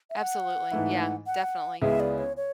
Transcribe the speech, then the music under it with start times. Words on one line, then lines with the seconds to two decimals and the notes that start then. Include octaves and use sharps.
Absolutely, yeah, definitely.
0.10 E5
0.17 F#5
0.71 G#2 E3 A3 E4
1.26 F#5
1.82 C#2 C#3 G#3 B3 E4 E5
2.00 D5
2.18 C#5
2.37 C#5